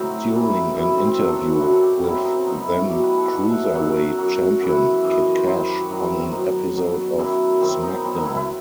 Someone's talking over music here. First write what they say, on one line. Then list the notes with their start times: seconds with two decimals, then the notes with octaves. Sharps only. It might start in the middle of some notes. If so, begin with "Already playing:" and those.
During an interview with then Cruiserweight Champion Kid Kash on an episode of SmackDown!
Already playing: A2 F#3 C4 D#4 F#4
0.32 F#2 E3
0.75 F#2 E3 E4
0.97 C4
1.07 C4
1.18 F#2 D#3 F#3
1.29 A4
1.39 F#4
1.50 E4
1.61 F#2 D#3 F#3 F#4
1.72 A4
1.82 G4
2.04 B2 F#3 E4
2.15 C4
2.25 D#4
2.36 C4
2.47 B2 F#3 D#4
2.57 E4
2.68 E4
2.79 F#4
2.89 B2 F#3 G4
3.03 B4
3.18 A4
3.32 B2 F#3 F#5
3.43 E5
3.53 F#5
3.65 E5
3.75 F#2 F#3 F#5
3.90 E5
4.04 F#5
4.18 F#2 F#3
4.61 F#2 E3 F#5
4.72 F#5
4.83 F#5
4.93 E5
5.04 F#2 E3 D#5
5.15 D#5
5.25 D#5
5.36 C5
5.47 F#2 D#3 F#3 C5
5.58 B4
5.68 G4
5.79 F#4
5.90 F#2 D#3 F#3 E4
6.01 C4
6.12 C4
6.22 C4
6.33 B2 F#3 D#4
6.75 B2 F#3
7.18 F#2 D#3 F#3 E4
7.61 F#2 D#3 F#3 C4
7.83 D#4
7.94 B3
8.04 B2 F#3 C4
8.15 D#4
8.26 E4
8.37 E4